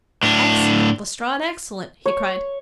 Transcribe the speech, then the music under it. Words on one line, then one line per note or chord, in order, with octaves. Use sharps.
"Excellent, Lestrade, excellent!" he cried.
A2 D4
C#5